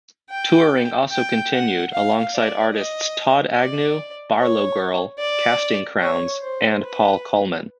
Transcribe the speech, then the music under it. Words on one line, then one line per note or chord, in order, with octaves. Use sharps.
Touring also continued alongside artists Todd Agnew, BarlowGirl, Casting Crowns and Paul Colman.
G5
G5
F#5
F5
D5
D#5
D5
C#5
D5
C#5
C5
B4